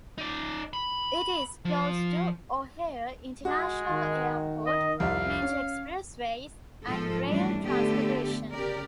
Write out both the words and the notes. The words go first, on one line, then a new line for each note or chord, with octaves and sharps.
It is close to O'Hare International Airport, major expressways, and rail transportation.
D#4 D5
B5
F3
G#3 F#4
D#3
D#5
C2 F2 E5 F5
C#4
G#2 F3 A4
E3 G3 A3 C#4 D4
D3 A3 B3 G4 A4
C#3 G4 A#4 D5